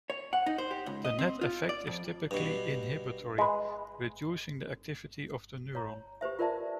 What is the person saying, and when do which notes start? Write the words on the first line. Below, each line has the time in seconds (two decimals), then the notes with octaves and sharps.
The net effect is typically inhibitory, reducing the activity of the neuron.
0.10 C#5
0.33 F#5
0.46 D#4
0.58 C5
0.71 G4
0.86 C#2
1.04 D#5
1.19 C4
1.41 F4
1.69 D5
1.87 F2
2.31 G2 B2
3.38 G#3 B4
5.75 C#5 A#5
6.21 G4 B4 C5 E5
6.39 F4 A#4 C5 D5 E5 A5